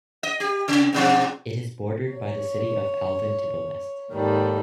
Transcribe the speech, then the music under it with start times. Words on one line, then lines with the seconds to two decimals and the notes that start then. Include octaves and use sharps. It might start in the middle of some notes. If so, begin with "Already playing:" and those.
It is bordered by the city of Alvin to the west.
0.23 D#5
0.40 G4
0.68 C3
0.93 G#2 B2 F3
2.13 C#5
4.11 D#2 G#2 D#3 G3 A4